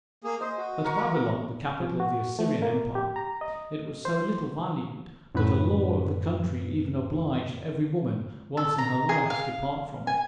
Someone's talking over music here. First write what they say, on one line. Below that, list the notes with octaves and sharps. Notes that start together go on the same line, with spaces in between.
At Babylon, the capital of the Assyrian empire, it was so little valued, that a law of the country even obliged every woman once in her life to depart from it.
A#3 G#4
C5 D#5
F#4
A#4 A#5 C#6
A#4
F3
F#4
A3
A#3
G4
A#5
D#5
C5
F#2 A2 B4
A4
A#5
G#4
F5
G#5